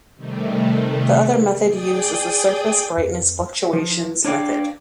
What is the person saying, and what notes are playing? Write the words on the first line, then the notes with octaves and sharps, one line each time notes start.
The other method used is the surface brightness fluctuations method.
C3 D#3 G3 A3
G#4 D5 G5 D#6
F2
F3
D4 C#5 D5 F5 G5